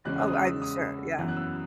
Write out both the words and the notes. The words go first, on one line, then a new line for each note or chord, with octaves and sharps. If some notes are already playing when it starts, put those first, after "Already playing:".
Oh, I'm sure, yeah.
E2 C#3 G#3 C#4 F#6
D#6
E6
D#6
F#2 E3 B3
F#6
E6